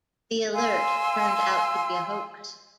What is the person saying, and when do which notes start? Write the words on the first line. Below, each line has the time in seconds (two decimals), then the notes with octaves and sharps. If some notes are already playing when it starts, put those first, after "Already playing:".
The alert turned out to be a hoax.
0.54 F5 G#5 C6 E6